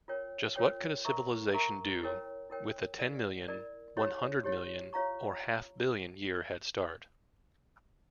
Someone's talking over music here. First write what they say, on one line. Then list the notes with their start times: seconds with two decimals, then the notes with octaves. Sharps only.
Just what could a civilization do with a ten-million, one-hundred-million, or half-billion-year head start?
0.08 F4 A#4 C#5 G5
0.56 F4 A#4 C#5 G5
1.05 A#4 E5 A#5 C#6
1.53 A#4 E5 A#5 C#6
2.02 E4 A#4 C#5 G5
2.50 E4 A#4 C#5 G5
2.99 E4 A#4 D5
3.48 E4 A#4 D5
3.97 E4 G4 C#5
4.44 E4 G4 C#5
4.93 F4 C#5 F5 A#5 C#6